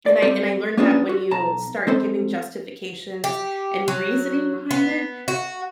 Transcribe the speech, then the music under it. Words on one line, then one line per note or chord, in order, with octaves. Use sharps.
and I and I learned that when you start giving justifications and reasoning behind it,
D5
G3 C4 A4 C5 D5
A#3 B3 C#4 D4 F4 G#4
F#4
B1 A5 A#5
G#3 C4 A4 C5
G4
F#3
B3
F#4